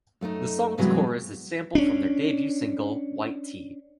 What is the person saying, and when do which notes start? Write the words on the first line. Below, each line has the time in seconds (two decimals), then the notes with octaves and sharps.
The song's chorus is sampled from their debut single "White Tee".
0.21 F#2 A3 B3 D#4
0.78 G2 C3 E3 F#3 G#3 B3
1.75 C#4 D4